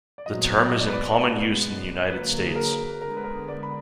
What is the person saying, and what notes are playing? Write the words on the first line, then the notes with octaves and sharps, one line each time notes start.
The term is in common use in the United States.
D5
A#2 F#3 B3 D#5
D#5
D5
B4
D5
B2 G#3 B3
D3 F#3 A#3 B4
G#4
A#4
D3 G#3 B3 A#4
B4
A#4
D5
B5